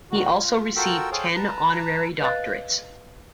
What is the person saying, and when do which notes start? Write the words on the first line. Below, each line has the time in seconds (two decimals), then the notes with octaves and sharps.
He also received ten honorary doctorates.
0.11 A#2 D3 D#3 F#4
0.38 F4
0.76 F4 F#4 A4 A#4 G5 E6
1.11 G#4 A4 C5 C#5 F5 G5
1.35 B4 A5 A#5
2.21 B4 D#5 F5 F#6 A6